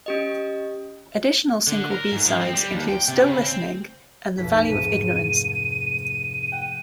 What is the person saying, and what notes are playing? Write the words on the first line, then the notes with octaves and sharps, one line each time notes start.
Additional single b-sides include "Still Listening" and "The Value of Ignorance".
C#4 G4 D#5
D3
A#4
G#2
F3
C4
G3
D#2
G5
C3
C#3
C4
F1 B1 B6
G#2 C3 A3 D#7
F#5 G5